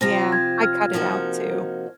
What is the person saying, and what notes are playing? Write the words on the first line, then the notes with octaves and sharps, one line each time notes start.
Yeah, I cut it out too.
C3 F3 C4 F4 A#6
G#6
F6
C3 F3 A#3 D#4 F#4